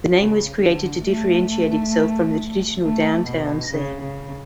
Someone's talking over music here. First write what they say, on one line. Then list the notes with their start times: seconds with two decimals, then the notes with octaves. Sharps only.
The name was created to differentiate itself from the traditional downtown scene.
0.17 C#3
0.61 D3
1.05 A3
2.83 A3
3.27 B2
3.72 C#3
4.02 C#3